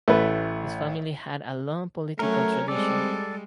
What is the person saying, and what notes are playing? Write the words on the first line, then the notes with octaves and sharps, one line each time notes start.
His family had a long political tradition.
A1 A3 B4
F#3 A3 C#4 A#4 C#5
G3 G#3 C4 A4 D5